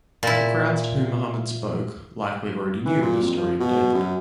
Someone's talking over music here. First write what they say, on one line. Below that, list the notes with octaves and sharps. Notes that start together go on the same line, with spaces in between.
The crowds to whom Muhammad spoke likely already knew the story of David.
A#2 E4
E3
A#2
F2
F3
B2
F#2